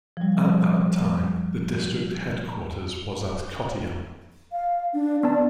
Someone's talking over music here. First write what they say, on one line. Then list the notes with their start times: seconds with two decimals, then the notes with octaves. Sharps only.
At that time, the district headquarters was at Kottayam.
0.17 F3 G3
4.52 F5
4.94 D4
5.23 B3 D4 D5 A5